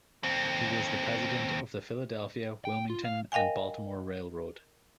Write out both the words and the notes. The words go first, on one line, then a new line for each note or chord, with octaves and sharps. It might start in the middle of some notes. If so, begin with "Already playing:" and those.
He was the President of the Philadelphia, Wilmington and Baltimore Railroad.
D#2 C4
G5
F4
F5
A#4 D#5 F5 G5 G#5